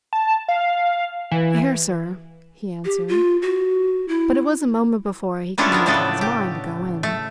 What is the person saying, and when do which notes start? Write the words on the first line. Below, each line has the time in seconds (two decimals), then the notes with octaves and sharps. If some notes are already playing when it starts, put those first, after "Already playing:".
"Here, sir," he answered; but it was a moment before he could make up his mind to go in.
0.13 A5
0.48 F5
1.31 E3
2.85 G4
3.09 F4
3.42 F#4
4.08 E4
5.58 G3 C#4 D4 E4 F4 A4
5.72 B3 D4 A#4
5.86 A2 C#3 F3 A3 D4 A4
6.21 G4
7.03 A3